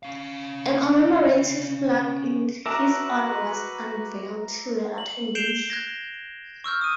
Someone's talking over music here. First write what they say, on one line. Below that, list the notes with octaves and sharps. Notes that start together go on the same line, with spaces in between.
A commemorative plaque in his honor was unveiled to the attendees.
C#4 F5
F#4 A#4 B4 E5 A5 A#5 D6
F#7
G6 C7 D7 E7 F7 G7
F#6 G#6 A#6
C#6 E6 F6 G6
D#6 D#7